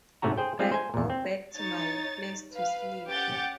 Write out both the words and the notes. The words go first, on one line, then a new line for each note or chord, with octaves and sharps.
I go back to my place to sleep.
G#2 C3 A3 C#4 F#4 A#5
G#4 C5 G5
G3 G#3 C4 F4 G#4
C5 G#5
E2 A#2
C4
D#4 C#5 A6
B4 F5
C#4 G4 F#5 D6 G6 A6